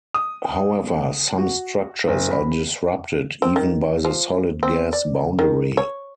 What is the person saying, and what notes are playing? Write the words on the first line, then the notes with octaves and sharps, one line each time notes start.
However, some structures are disrupted even by the solid-gas boundary.
D#6
F#4
F#1
B5
C4
D#3
F3
C4
D5
D#3
C#5